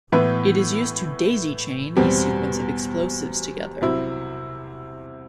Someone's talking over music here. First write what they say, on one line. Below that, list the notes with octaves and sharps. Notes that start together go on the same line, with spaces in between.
It is used to "daisychain" a sequence of explosives together.
A2 E3 B3 E4 B4
E2 B2 G3 C4
C2 C3 F#3 C4 E4